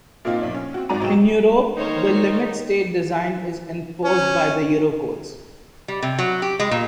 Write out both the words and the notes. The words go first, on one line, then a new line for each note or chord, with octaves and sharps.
In Europe, the Limit State Design is enforced by the Eurocodes.
A#2 A#3 C4 D#4 F4
B1 D5
C#4
C4 F#4
G#1 G#2 F#4 D5 A#5 D#7
B2 F#3 G#3 G5 E7
D#3 A#3 D#4 C5 C#5
C#4
G3
C3
F#3
G4
G#3
A#2